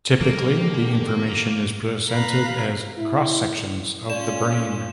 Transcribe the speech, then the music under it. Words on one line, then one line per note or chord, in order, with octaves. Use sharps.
Typically the information is presented as cross sections of the brain.
B2 D3 D#3 F#3 G#3 A#3 G4 A4
B4 F5 A#5 F#6
E4
C#4 F4 D5 E7